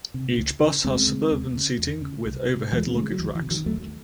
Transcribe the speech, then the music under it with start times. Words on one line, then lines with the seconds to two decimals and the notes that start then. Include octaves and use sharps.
Each bus has suburban seating with overhead luggage racks.
0.14 C3
0.38 C#2
0.61 C#3
0.84 D#2 G#3 C4
1.08 C#3
1.31 D#2
1.55 C#3
1.78 E2
2.02 C#3
2.25 C2
2.49 C3
2.72 D#2 E3 G#3
2.87 C4
2.95 C#3 A3
3.03 G#3
3.11 F#3
3.19 C#2 E3
3.35 E3
3.42 C3
3.51 D#3 F#3
3.66 D#2 F#3 A3